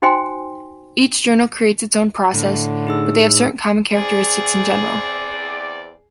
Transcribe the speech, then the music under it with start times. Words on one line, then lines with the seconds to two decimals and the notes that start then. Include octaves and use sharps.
Each journal creates its own process, but they have certain common characteristics in general.
0.02 D#4 F#4 C5 G5 G#5 C6
2.34 A2 D3
2.87 D#4 G#4 E6
3.92 E2 C4 G#4 D5